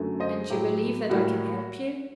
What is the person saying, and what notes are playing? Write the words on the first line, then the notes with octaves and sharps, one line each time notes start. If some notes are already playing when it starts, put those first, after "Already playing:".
"And you believe that I can help you?"
Already playing: F#2 D3 A3
C5 D#5
A2 F#3 A3 G4
A2 G3 A#3 F#4